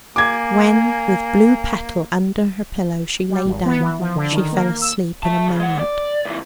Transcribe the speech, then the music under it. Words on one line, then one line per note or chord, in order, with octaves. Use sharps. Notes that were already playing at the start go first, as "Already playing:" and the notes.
When, with blue petal under her pillow, she lay down, she fell asleep in a moment.
A#3 G#5 D6 G#6
G3
G#1
B3
E3
F3
D3
D#3
A#3
E6
E5 A5
C#3
G#3 F#5
D5
C#2 E3